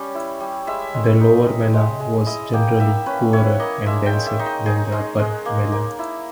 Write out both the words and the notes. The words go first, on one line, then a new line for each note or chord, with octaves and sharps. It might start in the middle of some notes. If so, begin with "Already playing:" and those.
The "Lower" Mellah was generally poorer and denser than the Upper Mellah.
Already playing: G3 C#4
E4
G3
G#3 E5
G#3
D#4
D#4
G#3
G#3
E4 D#5
A#3 G5
A#3 E5
C#4 B4
E4 C#5
A#3 D#5
G#3 E5
G5
G#3
E5
D#4
D#5
D#4 G#4
G#3
G#3
A#3
A#3
E4